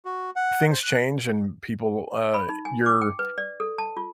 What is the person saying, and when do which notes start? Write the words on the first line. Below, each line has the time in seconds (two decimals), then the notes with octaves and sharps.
things change and people uh, your
0.05 F#4
0.36 F#5
0.70 C5
0.83 F#6
2.34 B5
2.49 D#4
2.65 G#5
2.86 D6
3.01 G5
3.19 B4
3.38 D5
3.60 A4
3.78 A5
3.97 F4